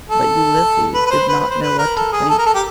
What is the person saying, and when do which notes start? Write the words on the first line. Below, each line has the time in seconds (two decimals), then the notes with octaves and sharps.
But Ulysses did not know what to think.
0.10 A4
0.94 B4
1.06 B4
1.11 C5
1.28 B4
1.40 B4
1.50 C5
1.62 B4
1.78 A#4
1.96 A4
2.12 G#4
2.29 A4
2.38 A#4
2.46 A4
2.54 G4